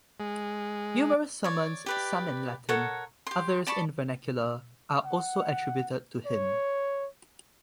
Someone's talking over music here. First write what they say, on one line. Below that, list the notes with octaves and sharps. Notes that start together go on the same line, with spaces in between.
Numerous sermons, some in Latin, others in vernacular, are also attributed to him.
G#3
C#5 D5
G4 B4 D5
A4 A#4 C#5 F#5
G4 C6
D5 A5 B5 C#6
F#5
C#5